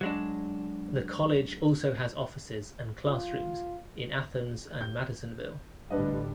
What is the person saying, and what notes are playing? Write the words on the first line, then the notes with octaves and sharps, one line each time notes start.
The college also has offices and classrooms in Athens and Madisonville.
F#3 G#3 D4
F4
G6
A1 D3 G3 D4 B4 D#5